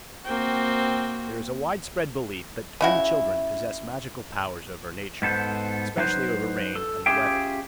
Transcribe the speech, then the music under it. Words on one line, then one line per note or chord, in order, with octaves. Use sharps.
There is a widespread belief that twin children possess magical powers over nature, especially over rain and the weather.
A#3 C4 F#4 G5
C#3 E4 F#4
G#2 B3 A4 C5
F#3 D#4 B4 C5
A4
C#4 F4 G4 G#4 E5 G5